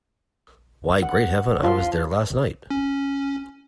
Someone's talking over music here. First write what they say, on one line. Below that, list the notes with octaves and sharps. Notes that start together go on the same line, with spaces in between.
Why, great heaven, I was there last night!
F#5
F3 F4 C6
C#4